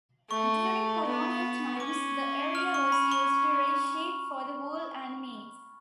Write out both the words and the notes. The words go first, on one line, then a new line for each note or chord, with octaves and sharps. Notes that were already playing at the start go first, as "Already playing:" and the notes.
During colonial times the area was used to raise sheep for wool and meat.
A3 C#6
B3
C#4 D6
F6
C#6
B5
C#6